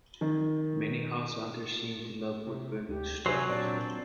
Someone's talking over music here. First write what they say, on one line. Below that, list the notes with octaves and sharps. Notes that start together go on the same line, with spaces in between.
Many househunters seem to love woodburning stoves.
D#3
C3
D2 G4
C3 F#3 C5 E5 G#5
A#2 C4 D4 D5 A5